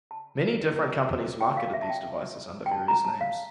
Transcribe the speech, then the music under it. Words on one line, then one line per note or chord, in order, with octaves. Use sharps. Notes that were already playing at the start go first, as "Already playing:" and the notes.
Many different companies marketed these devices under various names.
A5
G5
F5
E5
A5
G5
G5
A5
A#5
A5
F5